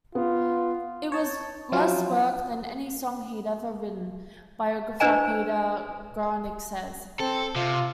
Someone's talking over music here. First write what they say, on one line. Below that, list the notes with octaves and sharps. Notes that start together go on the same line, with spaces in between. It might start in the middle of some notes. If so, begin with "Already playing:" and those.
"It was less work than any song he'd ever written," biographer Peter Guralnick says.
B3 F4
C#5 A5
F3 F#3 C4 C#4 E4 F4
D4 B4 C5 D#5 G#5 A#5
C4 A4
C3 F4